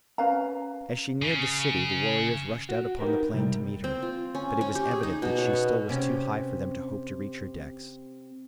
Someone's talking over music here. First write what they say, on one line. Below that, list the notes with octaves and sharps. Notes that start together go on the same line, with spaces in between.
As she neared the city the warriors rushed out upon the plain to meet her, but it was evident that she still was too high for them to hope to reach her decks.
C#4 B4 F5 A#5
C#3
F#4
D#4 G4 A#4 B4
C3 G3
C4
F4
C#4
C#4
G4
G#4
D#4
B2
C#5
B3
C3 C#4